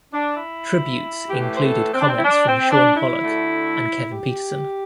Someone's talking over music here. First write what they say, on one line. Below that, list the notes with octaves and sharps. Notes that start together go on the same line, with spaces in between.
Tributes included comments from Shaun Pollock and Kevin Pietersen.
D4
E4
A2 E3 A3 G4
C5
A4
C4
D4
C4
E4
D4
C4
D4
E4
D2 D3 A3
G4